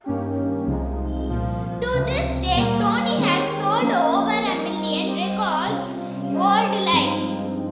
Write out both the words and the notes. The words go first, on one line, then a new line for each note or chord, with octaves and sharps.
To this date Tony has sold over a million records worldwide.
G2 D#3 A#3 C#4 G4
C2 C3 F3 G#3 D#4
C2 A#2 F3
C#2 C3 F3
A#2 G3 A#3
D#3 G#3 C4 G4 C#5
F3 A#3 C#4
G3 C4 D#4 A#4 D#5
G3 C4 G4 C5 D#5
C3 G3 C#4 F4
G3 C#4 G4 C5 D#5
G2 F3 G#3 C4 D#4